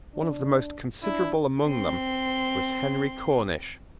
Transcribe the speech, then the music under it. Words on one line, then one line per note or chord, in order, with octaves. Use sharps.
One of the most considerable among them was Henry Cornish.
D4
D4 E4
C4 C6